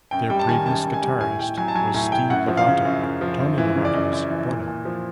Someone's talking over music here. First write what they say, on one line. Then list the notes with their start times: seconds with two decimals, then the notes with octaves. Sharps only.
Their previous guitarist was Steve Lovato, Tony Lovato's brother.
0.11 F#2 G5
0.30 G3 G5
0.39 A5
0.48 D#3 G#5
0.66 F#2 A5
0.84 F#2
0.94 G#5
1.03 G3
1.21 A2 G#5
1.39 A2 G5
1.58 F#3 G#5
1.68 A5
1.75 F#3 G#5
1.94 A2 G#5
2.12 A2 G5
2.30 F#2 F#5
2.48 F3
2.57 F5
2.67 C#3
2.85 F#2
3.03 F#2
3.21 F3
3.39 F#2
3.58 E3
3.75 C#3
3.85 D5
3.94 F#2 D#5
4.13 F#2
4.30 E3
4.49 A#2
4.67 A#2
4.85 F3